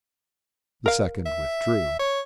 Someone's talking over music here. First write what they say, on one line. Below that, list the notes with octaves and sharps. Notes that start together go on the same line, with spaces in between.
The second withdrew.
A#4 F5
E5
C#5